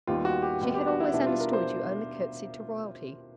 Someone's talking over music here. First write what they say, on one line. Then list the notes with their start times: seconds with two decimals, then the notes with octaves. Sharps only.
She had always understood you only curtsied to Royalty.
0.07 D#2 D#3 G3 B3 F4
0.25 F#4
0.42 G4
0.61 D#2 D#3 G3 B3
0.74 G4
0.88 F#4
1.00 E4
1.13 B2 G3 B3 D4 E4
1.27 F4
1.40 A#4
1.53 C5